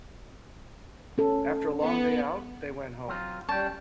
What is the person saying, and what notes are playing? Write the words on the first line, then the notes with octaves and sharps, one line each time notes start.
After a long day out, they went home.
C#4 A4
B3
F#3 C4 F4
G3 C#4 G5 A5